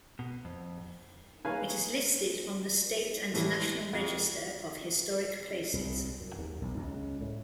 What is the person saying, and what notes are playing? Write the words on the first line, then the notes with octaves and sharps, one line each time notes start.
It is listed on the State and National Register of Historic Places.
B2
F2
D#4 G#4 B4 C#5 F5 G#5
A2 E3 G3 E4
F2
C2
F#2
D#2
B1
C#2
A2